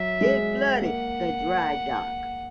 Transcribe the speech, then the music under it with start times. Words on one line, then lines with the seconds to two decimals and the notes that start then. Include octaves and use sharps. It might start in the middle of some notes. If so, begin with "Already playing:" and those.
It flooded the dry dock.
Already playing: F#3 E5
0.21 G#3
0.81 A#3 F#5